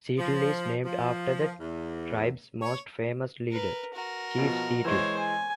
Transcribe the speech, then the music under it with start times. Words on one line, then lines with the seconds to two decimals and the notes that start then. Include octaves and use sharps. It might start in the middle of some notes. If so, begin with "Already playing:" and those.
Seattle is named after the tribe's most famous leader, Chief Seattle.
0.18 F3
0.85 F3
1.60 E2
2.62 C#5
3.52 A#4 B4
3.94 F#4 A#4
4.38 B2 F3
4.85 E3 G#3 C5 C#5
5.19 G#5